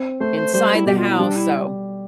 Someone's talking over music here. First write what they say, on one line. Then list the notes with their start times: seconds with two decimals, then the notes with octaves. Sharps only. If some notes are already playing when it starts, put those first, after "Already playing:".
inside the house, so,
Already playing: C4
0.20 A3 C5
0.37 C5
0.54 G3 C5
0.75 E4
0.86 B2 G4
0.97 F4
1.08 E4
1.19 G3 D4
1.36 E4